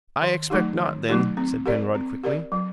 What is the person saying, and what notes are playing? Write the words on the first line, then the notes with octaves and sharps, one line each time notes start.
"I expect not, then," said Penrod, quickly.
D#3
F#3 A3 D#4 G4
D#3
F#3 A3 D#4 G4
C4
G4 A#4 D5
C4
G4 A#4 D5
F#3